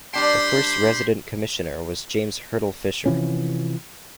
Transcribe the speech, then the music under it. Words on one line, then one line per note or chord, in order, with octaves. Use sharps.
The first Resident Commissioner was James Hurtle Fisher.
G3 D4 C5 G5 B5 C6
C3 E3 F3 C#4